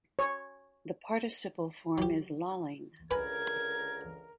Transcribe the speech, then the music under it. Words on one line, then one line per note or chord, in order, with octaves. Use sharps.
The participle form is lolling.
C#5
F#3 G4
C#2 D3 A#4 B4 G#5 B5 G#6